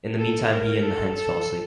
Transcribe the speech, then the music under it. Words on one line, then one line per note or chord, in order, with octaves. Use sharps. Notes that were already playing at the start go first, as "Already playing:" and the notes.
In the meantime, he and the hens fell asleep.
A4
A#4
A4
A4